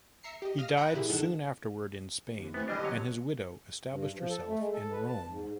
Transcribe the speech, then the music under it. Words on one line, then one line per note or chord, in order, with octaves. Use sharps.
He died soon afterward in Spain, and his widow established herself in Rome.
E5 A#5 C7 C#7
G4 D#5
F5 D#6 F6 A#6
F#5 A#5 B5 D#6 F#6 G6
A#2 E3 E4 G4 G#4
G2 D#3 A4 F#5 E7
D#2
E3 A3 B3 C4
E3 G3 D4 G4 D#5
D3 F#3 C#5
G2
F3
A4
A3
G#3
A4
B4
A5
G#2
G#2